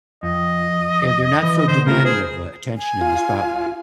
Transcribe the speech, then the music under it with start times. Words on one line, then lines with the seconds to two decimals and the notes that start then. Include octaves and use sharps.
and they're not so demanding of, uh, attention in the spotlight.
0.23 F2 D#5
1.43 E3
1.68 D3 C5
1.87 C#3 A3 F4 A#4
2.05 G#4 C5
2.77 G#5
3.01 F4